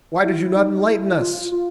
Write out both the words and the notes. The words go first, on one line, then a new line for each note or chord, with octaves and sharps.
Why did you not enlighten us?
E4
D#4
E4
F4
F4